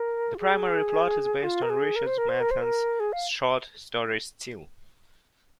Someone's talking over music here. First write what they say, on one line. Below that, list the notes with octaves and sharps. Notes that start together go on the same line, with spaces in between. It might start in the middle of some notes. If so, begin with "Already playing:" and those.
The primary plot is based on Richard Matheson's short story "Steel".
Already playing: A#4
F4
G#4
F4
A#4
G#4
A#4
C5
A#4
C5
A#4
C5
A#4
G#4
F5